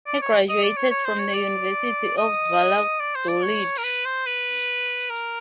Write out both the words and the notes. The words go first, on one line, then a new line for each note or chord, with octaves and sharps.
He graduated from the University of Valladolid.
D5
C#5
D#5
D5
C#5
C#5
C5
C#5
D5
D#5
D5
C5
D5
C#5
A#4
B4
C5
B4
A#4